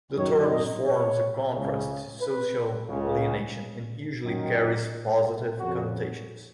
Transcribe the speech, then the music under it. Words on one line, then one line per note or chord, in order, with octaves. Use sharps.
The term forms a contrast to social alienation and usually carries positive connotations.
F#2 D#3 C#5
D#5
C#5
C#2 C#3
B4
C#2 C#3
F#2 D#3
F2 C#3 F#4